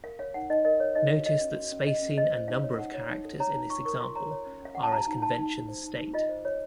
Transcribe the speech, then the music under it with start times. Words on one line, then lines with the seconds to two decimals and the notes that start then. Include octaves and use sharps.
Notice that spacing and number of characters in this example are as conventions state.
0.04 A#4 F5
0.19 C#5 F5
0.34 D#4 F#5
0.50 D#4 D#5
0.65 A#4 D#5
0.80 C#5
0.95 D#4 D#5
1.11 F#4 F5
1.26 F#4 D#5
1.41 C#4
1.56 F#4
1.72 C#4
1.87 C#4 D#5
2.02 C#4
2.18 C5 D#5
2.33 C5
2.48 D#4 F5
2.63 C#5
2.79 D#4 F#5
2.94 C#5
3.09 D#4
3.25 A4
3.40 C#5 A#5
3.55 D#4
3.70 F4 C#6
3.85 A#4 C#6
4.01 F4 C6
4.15 C#5 A#5
4.31 C#5
4.46 C#4
4.62 C#4 F5
4.75 C#4 F#5
4.83 A5
4.92 F#4 A#5
5.07 D#4
5.22 D#4 A5
5.38 D#4
5.53 D#4
5.68 C5
5.84 D#4
5.99 D#4
6.14 F4 D#5
6.29 C5
6.45 F4 C#5